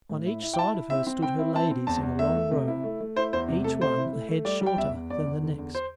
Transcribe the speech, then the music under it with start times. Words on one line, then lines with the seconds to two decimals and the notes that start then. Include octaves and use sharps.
On each side of her stood her ladies in a long row, each one a head shorter than the next.
0.09 A2
0.26 E4
0.42 E4
0.54 G5
0.59 E4 A5
0.74 E4
0.90 C4 E5
1.07 C4
1.22 C4 G5
1.39 E4
1.55 C4 A5
1.71 C4
1.87 E2 A5
2.03 E2
2.19 A3 E5
2.35 A3
2.51 C3
2.68 E4
2.84 A3
3.01 A3
3.16 E4 C5
3.33 E2 C5
3.48 C3
3.64 A3 A4
3.81 C3 C5
3.98 E4
4.13 A3
4.29 A3
4.45 G3 D5
4.61 G3
4.66 G5
4.78 E2 E5
4.94 E2
5.10 E2 D5
5.26 E2
5.43 D3
5.58 E2
5.75 C5